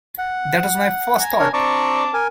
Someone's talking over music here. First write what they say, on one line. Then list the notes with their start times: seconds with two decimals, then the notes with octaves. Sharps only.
That was my first thought.
0.18 F#5
1.20 G#5 A#5
1.40 D4 A#4 C#5
1.53 C4 D5 A5 A#5 C#6 D6
2.14 A#4 G#5